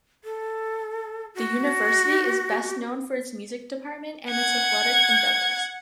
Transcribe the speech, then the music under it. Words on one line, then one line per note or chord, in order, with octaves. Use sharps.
The University is best known for its music department and its athletic endeavors.
A4
F#4
F#5 G#6